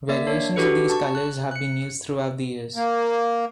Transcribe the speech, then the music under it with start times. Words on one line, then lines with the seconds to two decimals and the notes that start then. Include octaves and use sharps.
Variations of these colours have been used throughout the years.
0.09 A#3 D5 E5
0.27 D4 C#5
0.56 D4 F#4 G4 A4 B4 C#7
0.90 A5 C#6
1.15 F#6
1.51 F#6 C#7
2.76 A#3